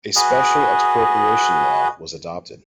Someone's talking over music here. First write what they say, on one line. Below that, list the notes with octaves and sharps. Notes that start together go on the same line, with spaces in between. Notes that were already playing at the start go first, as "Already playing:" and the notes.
A special expropriation law was adopted.
F#4 G#4 B4 D#5